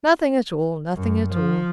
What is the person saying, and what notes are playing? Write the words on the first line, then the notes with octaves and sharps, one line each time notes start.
"Nothing at all,--nothing at all."
F#2
F3